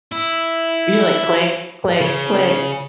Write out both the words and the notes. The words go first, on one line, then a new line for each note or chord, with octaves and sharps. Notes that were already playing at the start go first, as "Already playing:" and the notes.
You're like, "Click, click, click."
E4
C#3